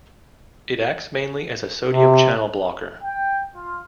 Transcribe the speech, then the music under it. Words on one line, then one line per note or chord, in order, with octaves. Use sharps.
It acts mainly as a sodium channel blocker.
C3
G5
F4